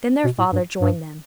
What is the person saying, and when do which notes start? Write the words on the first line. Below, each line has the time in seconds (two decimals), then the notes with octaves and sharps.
Then their father joined them.
0.24 B2
0.38 A2
0.53 G2
0.81 G2